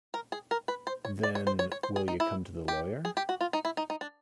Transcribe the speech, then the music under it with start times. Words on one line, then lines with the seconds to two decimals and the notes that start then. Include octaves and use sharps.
Then, will you come to the lawyer?
0.14 A#4
0.32 G#4
0.51 A#4
0.68 B4
0.87 C5
1.05 C#5
1.23 D5
1.35 C#5
1.47 C5
1.59 C#5
1.72 C#5
1.83 C5
1.96 G#4
2.08 D#4
2.20 E4
2.68 G4
3.05 G#4
3.17 G4
3.29 F#4
3.41 F4
3.53 D#4
3.65 E4
3.77 D#4
3.90 D#4
4.01 D4